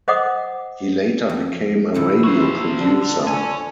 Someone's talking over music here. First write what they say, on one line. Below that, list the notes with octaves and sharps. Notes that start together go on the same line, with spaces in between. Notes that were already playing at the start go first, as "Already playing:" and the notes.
He later became a radio producer.
C5 D#5 F#5 D6 D#6
F2
F2 A#2 D#3 E4
F#4 C5
D3
C#5 G#5